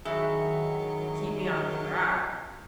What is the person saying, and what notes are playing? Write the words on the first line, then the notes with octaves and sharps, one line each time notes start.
to keep me on track.
D#3 F#3 E4 F#4 G#4 E5